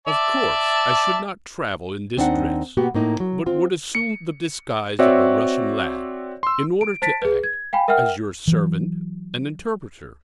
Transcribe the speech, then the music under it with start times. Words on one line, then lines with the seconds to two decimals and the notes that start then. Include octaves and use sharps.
Of course, I should not travel in this dress, but would assume the disguise of a Russian lad, in order to act as your servant and interpreter.
0.07 D5 E5 A5
2.17 D#2 C4 D4 D#4 F#5
2.77 B2 A#3 B3 F#4 G4
2.95 A2 A#3 D#4
3.20 F#3
3.46 C4 F4
3.95 C#7
4.99 C4 F#4 C#5 D5 E5
6.43 C6 E6
6.81 D7
7.02 C5 A5 A6 B6 D7
7.22 G#4 B4
7.43 G#6
7.73 F5 G5 G#5 B5
7.88 A#4 E5 F#5 G5 F6
8.48 E3 F#3